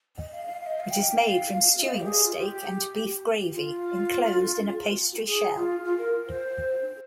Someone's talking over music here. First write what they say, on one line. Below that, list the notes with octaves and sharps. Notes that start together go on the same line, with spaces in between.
It is made from stewing steak and beef gravy, enclosed in a pastry shell.
D#5
F5
F5
F5
D#5
F5
G5
F5
F5
D#5
G4
G#4
F4
G4
F4
G#4
F4
F4
A#4
C5